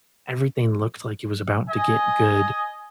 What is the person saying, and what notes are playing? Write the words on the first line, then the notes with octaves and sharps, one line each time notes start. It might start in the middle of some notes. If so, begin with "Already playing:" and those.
everything looked like it was about to get good,
D#5 G#5